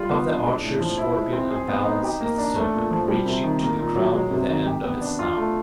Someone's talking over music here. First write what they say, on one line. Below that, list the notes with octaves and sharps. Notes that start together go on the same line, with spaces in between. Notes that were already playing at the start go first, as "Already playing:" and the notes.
Above the Archer, Scorpion, and Balance, is the Serpent, reaching to the Crown with the end of its snout.
Already playing: G3 F4
B3
D4
G#3
A2
F3
E4
G#3
C4
G#4
B3
D#4
G4
A#3
D4
A3
A#2
F3
G3
C3
D#3
A#3
A#2
F#3
G#3
C3
D#3
G4
B3
D4
F4
A3